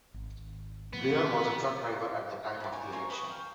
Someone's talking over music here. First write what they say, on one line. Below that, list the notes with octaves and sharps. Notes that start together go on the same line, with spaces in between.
Brewer was a truck driver at the time of the election.
G#1
A2 F3 A#3 B3
E4 D5
C#5 G5 G#5
G#4 A#4 C5 C#5
B4 B5 C#6 D#6
F5 G5